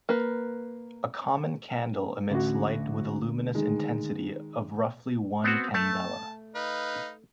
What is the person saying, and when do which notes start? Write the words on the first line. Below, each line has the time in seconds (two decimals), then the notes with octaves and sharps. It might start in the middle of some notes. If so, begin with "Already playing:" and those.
A common candle emits light with a luminous intensity of roughly one candela.
0.09 A#3 B4
2.30 A1 D2 F#4
3.55 D#3 G#3
5.44 B3 C4 F#4
5.74 A3 A5
6.55 D#4 B4 F5